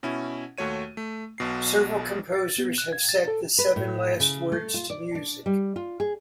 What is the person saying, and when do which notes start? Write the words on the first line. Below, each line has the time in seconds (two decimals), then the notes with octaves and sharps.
Several composers have set the Seven Last Words to music.
0.03 B2 C#4 E4
0.58 D#2 A3 F#4 C#5 D#7
0.97 A3
1.38 B1 B2 C7
2.35 A6
2.58 B3
2.78 F#6
2.93 G#6
3.09 A6
3.28 A4
3.58 B4
3.76 A2
4.20 C#3
4.52 A3
4.74 F4
4.90 D5
5.15 D4
5.46 G3
5.76 F4
6.00 G#4